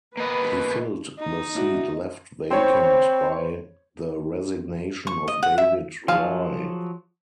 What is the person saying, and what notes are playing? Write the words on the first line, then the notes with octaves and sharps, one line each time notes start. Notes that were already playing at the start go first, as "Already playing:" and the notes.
He filled the seat left vacant by the resignation of Dawid Rooi.
A#3 B3 B4 D#5
D#4
D4 E4 F#4
C4 C5 C#5 B5
C#6
D#5
F#5
E5
F3 F#3 G#4 F5 A5